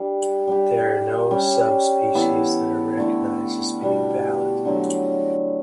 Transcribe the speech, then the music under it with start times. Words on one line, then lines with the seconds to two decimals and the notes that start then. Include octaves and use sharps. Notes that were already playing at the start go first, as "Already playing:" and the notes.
There are no subspecies that are recognized as being valid.
Already playing: G3 D4 A4
0.47 G3 D4 G4
1.31 G3 C#4 G4
2.14 E3 B3 E4 A4
2.98 D3 A3 E4
3.81 B2 G3 D4
4.65 D3 F#3 A3 D4